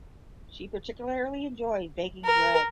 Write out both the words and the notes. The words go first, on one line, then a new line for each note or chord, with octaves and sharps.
She particularly enjoyed baking bread.
A#4